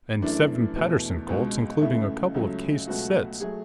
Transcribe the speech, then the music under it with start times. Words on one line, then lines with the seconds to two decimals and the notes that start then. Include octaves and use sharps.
And seven Paterson Colts, including a couple of cased sets.
0.22 F#2 E3 A3 D4
0.75 E2 B2 A3
1.28 C#2 B2 G#3
1.81 C#2 C#3 E3 A3 E4
2.34 C#2 C#3 F#3 A3
2.87 C#2 B2 F#3 A3 F#4
3.40 F#3 A3 G#4